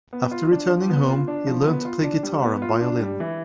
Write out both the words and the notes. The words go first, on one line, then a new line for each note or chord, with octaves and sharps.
After returning home, he learned to play guitar and violin.
B3
F4
D4
F3
B3
F4
D4
F3
B3
F4
D4
G3
B3
F4
D4
G3
E3